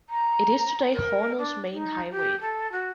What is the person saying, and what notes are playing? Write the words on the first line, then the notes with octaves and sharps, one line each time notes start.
It is today Hornell's main highway.
A#5
A#4
D4
D#4
G4
A4
F#4